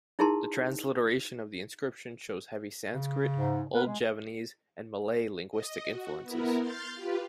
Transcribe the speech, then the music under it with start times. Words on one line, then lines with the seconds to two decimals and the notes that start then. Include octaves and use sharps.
The transliteration of the inscription shows heavy Sanskrit, Old Javanese and Malay linguistic influences.
0.19 D#4 E4 G#4 A#4 A5 C6
2.94 C#3
3.35 G#2
3.74 B3 A#4 B4
3.86 G#3
5.51 D#5
5.87 F#4
6.22 B3 E4 A#4
6.60 C6 F6 G6 A6
6.94 F4 G4 B4